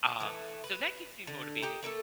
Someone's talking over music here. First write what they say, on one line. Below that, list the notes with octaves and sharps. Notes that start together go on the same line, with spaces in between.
Uh, so that keeps me motivated,
E3 A3
B4
D3
D#4 G4 G5
A3 A#3 F4 A4